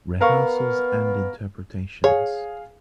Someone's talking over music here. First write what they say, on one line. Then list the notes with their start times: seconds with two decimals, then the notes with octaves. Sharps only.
Rehearsals and interpretations.
0.21 B3 A#4 F5 C#6
2.04 G#4 C#5 F5 G#5